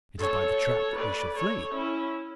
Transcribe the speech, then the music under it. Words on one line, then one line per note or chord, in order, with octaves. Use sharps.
It is by the trap that we shall flee.
A4 C#5
B4 D5
A4 C#5
C#4 E4